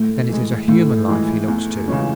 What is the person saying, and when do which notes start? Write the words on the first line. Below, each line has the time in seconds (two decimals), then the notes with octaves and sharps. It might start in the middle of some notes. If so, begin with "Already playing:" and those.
Then it is a human life he looks to!
Already playing: A2 A3
0.29 E3 G#3
0.68 A2 A3
1.08 E3 G#3
1.48 E2 A3
1.88 C#3 E3 G#3 C#4